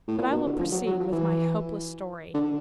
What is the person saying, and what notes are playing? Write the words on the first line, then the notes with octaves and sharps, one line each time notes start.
But I will proceed with my hopeless story.
A2
A#2
B2
D3
F3
F#3
F#3
F3
E3
D3